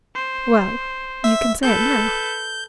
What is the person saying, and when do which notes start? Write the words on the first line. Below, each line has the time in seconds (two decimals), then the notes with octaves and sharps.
"Well;--you can say it now."
0.15 C5
1.24 E5
1.63 A4 B4 G6